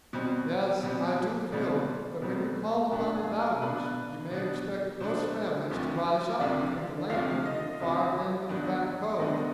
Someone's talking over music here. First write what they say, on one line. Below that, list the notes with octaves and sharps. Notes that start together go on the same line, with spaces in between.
Yes, I do feel that when you call upon the Bowdens you may expect most families to rise up between the Landing and the far end of the Back Cove.
B2 G3 C4
B2 G3 C4
B2 G3 C4 D5
B2 G3 C4
B2 B3 D4 G4
G#4
B4
B2 B3 D4 B4
B2 B3 D4
B2 B3 D4 C5
D2 C3 F3
D2 C3 F3 D5
D2 C3 F3 F5
D#5
D2 C3 F3
G2 D#3 B3 D4
G2 D#3 B3 D4 D#5